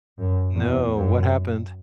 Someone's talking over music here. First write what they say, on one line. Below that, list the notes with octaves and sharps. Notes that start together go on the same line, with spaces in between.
No, what happened?
F#2
E2
F#2